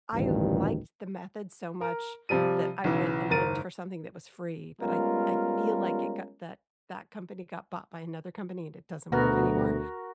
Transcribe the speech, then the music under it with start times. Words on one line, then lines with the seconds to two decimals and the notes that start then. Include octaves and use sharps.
I liked the method so much that I went and looked for something that was free, but I I feel like it got that that company got bought by another company, and it doesn't work anymore
0.15 A1 D2 G2 A#2 D#3
1.81 A#4
2.29 C3 F3 G3 D#7
2.84 B1 C#3 E3
3.30 F#1 D#2 G#2 A#4 A6 D#7
4.81 G3 G#3 B3 C#4 F4 A#4
9.12 D2 B2 B3 F#4 A#4